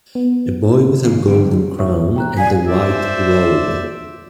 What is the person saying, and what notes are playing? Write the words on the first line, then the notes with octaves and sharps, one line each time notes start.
A boy with a golden crown and a white robe.
B3
D#3 D4 F5
D3 F#3 G3 C4 G4
C#5 E5 C#6
G5 A#5 F#6
D5 F5 G#5 B6
C5 D5 E5